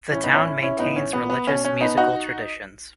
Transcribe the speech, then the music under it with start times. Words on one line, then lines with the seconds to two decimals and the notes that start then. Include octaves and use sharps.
The town maintains religious musical traditions.
0.11 A2 E3 C#4
0.24 B3 D#4
0.34 C#4 E4
0.46 C#4 E4
0.62 C#4 E4
0.79 A2 E3 B3 D#4
0.96 C#4
1.13 B3
1.30 B3
1.47 B2 C#4
1.65 C#4
1.81 B3 D#4
1.97 D#4 F#4